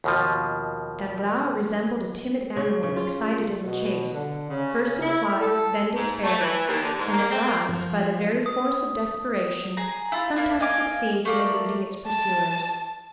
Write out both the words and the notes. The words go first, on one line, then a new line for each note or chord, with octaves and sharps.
Danglars resembled a timid animal excited in the chase; first it flies, then despairs, and at last, by the very force of desperation, sometimes succeeds in eluding its pursuers.
D#2 B2 F3
C#3
C#3
F4
B2
D3
C#3
E4
A4
G#2
A3
E3
D#2
D3
G#2
A#3
C4
A#3
F3
D#6
G#4 A#5
E4 F4
A#3 E4
D#5 F5 G#5 D6
A3 A#3 D5
A5